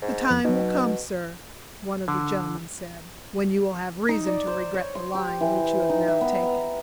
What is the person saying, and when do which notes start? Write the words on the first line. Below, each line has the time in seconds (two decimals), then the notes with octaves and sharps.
"The time will come, sir," one of the gentlemen said, "when you will have reason to regret the line which you have now taken."
0.02 G#2
0.30 F2
0.45 B2 F#3 D#4
2.08 D3
4.09 D#4
4.26 D5
4.47 C5
4.74 C#5
4.95 C6
5.15 G4
5.41 E3
5.89 D#4
6.08 E5
6.21 B3
6.43 A#5